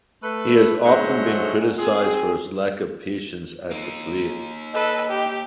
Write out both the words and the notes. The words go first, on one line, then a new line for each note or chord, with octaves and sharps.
He has often been criticized for his lack of patience at the plate.
A3 B4
D2 G#2 F#3 A3 C5 D#5
G#2
C4 G#4
A#3 D#4
A4 B4 D#5
G4